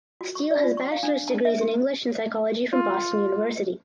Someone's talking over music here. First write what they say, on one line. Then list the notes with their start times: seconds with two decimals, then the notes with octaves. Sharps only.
Steele has bachelor’s degrees in English and psychology from Boston University.
0.21 F#4
0.35 C#6
0.51 D5
0.63 F4
0.77 C#6
0.92 F5
1.03 D4
1.28 A5
1.45 E5
1.61 G4
2.73 F4